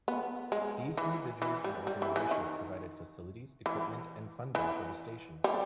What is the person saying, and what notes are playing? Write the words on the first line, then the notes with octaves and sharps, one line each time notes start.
These individuals and organizations provided facilities, equipment, and funding for the station.
B3
G#3
E3
E3
G3
G3
E3
E3
D#3
E3
E3
G3